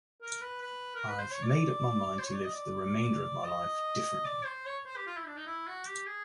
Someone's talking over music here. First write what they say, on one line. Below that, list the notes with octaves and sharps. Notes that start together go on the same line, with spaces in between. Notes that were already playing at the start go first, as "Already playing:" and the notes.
I've made up my mind to live the remainder of my life differently.
A#4
B4
B4
A#4
B4
C5
C#5
D5
C5
C#5
D5
D#5
D5
D#5
D5
C5
C#5
C5
G4
F4
E4
D4
D#4
E4
F#4
G4
G#4